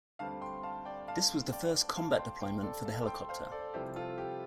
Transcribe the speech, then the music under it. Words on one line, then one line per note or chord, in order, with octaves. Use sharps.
This was the first combat deployment for the helicopter.
D2 D3 G3 C4 F5 A5
G5 C6
F5 A5
D5 G5
F5 A5
D5 G5
F5 A5
G5 C6
G5 C6
A4 D5
F5 A5
G5 C6
C5 F5
A4 D5
C2 C3 F3 G4 C5
F4 A4
G4